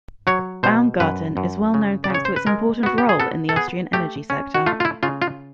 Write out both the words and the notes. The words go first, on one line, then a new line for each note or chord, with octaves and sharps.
Baumgarten is well known thanks to its important role in the Austrian energy sector.
F#3 C#5
B2 C5
F#2 B4
F#2
C#3
D5
C#3 C#5
C5
B4
G#3 A#4
B3 F#4
G4
G#4
B3 A4
A4
B3 G#4
A3 G4
C#4
F#4
A3 F4
F4
E4
C#3 F4
F4